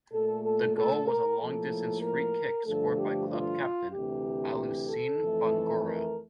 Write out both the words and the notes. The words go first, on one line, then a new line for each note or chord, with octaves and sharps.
The goal was a long distance free-kick scored by club captain Alusene Bangura.
A#2 A3 A4
A4
A4
A#4
A2 F3 A#3 A4
A#4
G2 D3 F3 A3 A4
G4
F4
D2 C3 E3 G4
A4
F2 E3 A3
A#4